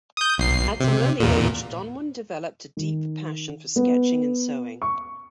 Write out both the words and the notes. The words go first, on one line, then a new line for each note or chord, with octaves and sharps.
At an early age, Donwan developed a deep passion for sketching and sewing.
D#6 G6
B1 C7
C3
E2 A#2
D#3
B3
C#6